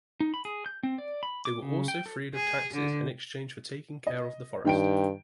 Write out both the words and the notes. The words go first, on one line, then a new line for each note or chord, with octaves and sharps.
They were also freed of taxes in exchange for taking care of the forest.
D#4
B5
G#4
G6
C4
D5
B5
D6
C#3
G5
A4
G#4
D3
D#5
G2 D#3 G5 D7